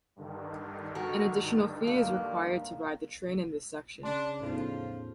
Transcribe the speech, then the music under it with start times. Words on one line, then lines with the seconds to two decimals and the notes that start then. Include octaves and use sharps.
An additional fee is required to ride the train in this section.
0.16 G2 D3 D#3
0.95 F#4 A4 A#4
1.87 A#3
4.03 C#3 D4 A5 C6
4.41 E2 A2 F3 B3 D#4 F4 A4